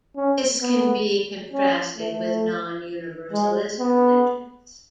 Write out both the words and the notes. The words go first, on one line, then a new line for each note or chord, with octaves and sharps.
This can be contrasted with non-universalist religions.
C#4
B3
C#4
A3
G#3
B3